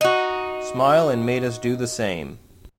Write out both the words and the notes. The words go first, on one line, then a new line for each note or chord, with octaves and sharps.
Smile and made us do the same.
D#4 F#4